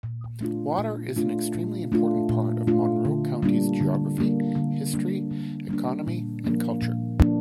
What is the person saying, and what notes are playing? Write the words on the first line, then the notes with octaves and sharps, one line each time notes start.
Water is an extremely important part of Monroe County's geography, history, economy, and culture.
A#2
A3 D4 F4
A#2
A3 D4 F4
A#2
A3 D4 F4
A#2
A3 D4 F4
D3
G3 A#3 D4
D3
G3 A#3 D4
D3
G3 A#3 D4
D3
G3 A#3 D4
A#2
F3 A#3 D4
A#2
F3 A#3 D4